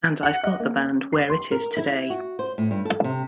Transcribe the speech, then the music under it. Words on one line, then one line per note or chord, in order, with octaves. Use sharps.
And I've got the band where it is today.
F#5
D#5
A#3
C#4
C7
C6
A#4
E4
F#4
C5
A2
G2
A4
C3